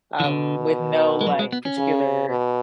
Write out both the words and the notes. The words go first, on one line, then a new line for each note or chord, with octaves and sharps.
um, with no, like, particular,
E3
B2 D3
G#3
F#3
G#3
B3
C#4
C#3
B2